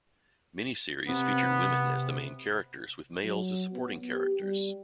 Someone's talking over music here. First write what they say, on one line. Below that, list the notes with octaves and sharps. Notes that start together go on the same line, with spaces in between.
Many series featured women as the main characters with males as supporting characters.
C3 B3
F#3
B3
G4
G3